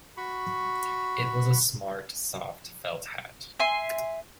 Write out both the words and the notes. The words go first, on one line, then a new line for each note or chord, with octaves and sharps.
It was a smart soft felt hat.
F#4 B5 C#6
E5 G#5 C6